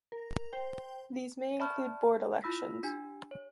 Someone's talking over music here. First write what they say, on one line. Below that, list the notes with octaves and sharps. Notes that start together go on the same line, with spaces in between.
These may include board elections.
A#4
C5 G5
D5 E5 A5 B5 C#6 F6
E4 F4 B5 E6 A#6 B6
D4 G4 G#5
C#5